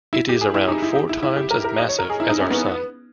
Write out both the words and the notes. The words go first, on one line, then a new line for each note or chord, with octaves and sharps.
It is around four times as massive as our Sun.
E4
G4
G#4
E4
D#4
E4
G4
E4
E4
G4
A#4
A#4
D#5
C#5
A#4
G#4
E4
D#4
C#4
B3